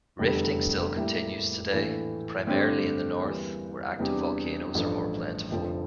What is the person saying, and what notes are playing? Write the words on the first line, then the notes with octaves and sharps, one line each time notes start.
Rifting still continues today; primarily in the north, where active volcanoes are more plentiful.
F1 E2 D3 G3
A2 G3 A#3 E4 G4
A#1 A2 E3 A3
G2 D3 A3 C4 G4
E2 E3 G3 A#3
E2 C3 G3 D4 G4
A1 G2 F3 A3
F1 F2 D3 F3